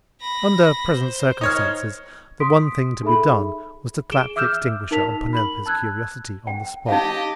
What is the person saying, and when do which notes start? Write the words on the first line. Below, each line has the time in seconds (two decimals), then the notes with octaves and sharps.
Under present circumstances, the one thing to be done was to clap the extinguisher upon Penelope's curiosity on the spot.
0.21 B5 A#6
0.94 C5
1.41 D#4 C#5 F6
2.40 C6 D#6 B6 D7
3.03 D#4 G#4 A4 E5 B5
4.12 G#4 D7 E7 G7
4.36 E5 D6 E6 F6 G6 E7
4.91 D#4 A#4 A5 B6 F7
5.33 B5 F#7
5.66 A5 E6 F#6 G#6
6.47 G5
6.88 D#4 G4 D#5 F5